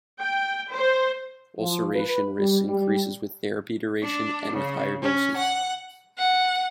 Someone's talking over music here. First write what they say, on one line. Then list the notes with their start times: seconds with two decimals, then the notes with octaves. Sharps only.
Ulceration risk increases with therapy duration, and with higher doses.
0.21 G5
0.72 C5
1.59 F3
1.94 B4
2.38 G3
2.67 G3
4.02 D4
4.52 C#3
5.02 C#4
5.36 F#5
6.18 F#5